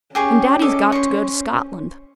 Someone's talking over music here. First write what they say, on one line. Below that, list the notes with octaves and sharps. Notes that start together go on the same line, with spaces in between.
'And daddy's got to go to Scotland.
C#4 G4 G#4 C#6
A4 D5 D#5
C5 C#6